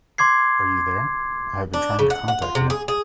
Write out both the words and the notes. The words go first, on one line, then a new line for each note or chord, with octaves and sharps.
Are you there? I have been trying to contact you.
C6 D6 G#6 C7
D4
C#3
F#5
F#5
F4
C3
G#4
G#4